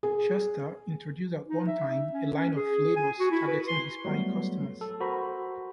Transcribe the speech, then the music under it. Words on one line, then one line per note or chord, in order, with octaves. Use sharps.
Shasta introduced at one time a line of flavors targeting Hispanic customers.
G#4
D#4
E5
C#4
C#4
G#4
G#5
F#4
E4
B4
C6
F#3 G3 A3 B3
A4
F#4 A#4 C5 A#5 B5